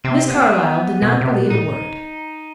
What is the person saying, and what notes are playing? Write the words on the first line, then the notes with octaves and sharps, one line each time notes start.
Miss Carlyle did not believe a word.
C3 C4
C4
B3
C4
B3
B2
C3
B2
A#2
A2 D#4